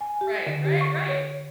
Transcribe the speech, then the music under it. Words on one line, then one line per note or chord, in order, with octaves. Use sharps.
Right, right, right,
G#5
G4
D3
G4
C#6
C#5